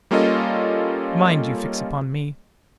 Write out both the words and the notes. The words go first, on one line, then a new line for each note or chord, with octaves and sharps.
Mind you fix upon me!
G3 A#3 C#4 F4 A4 D#5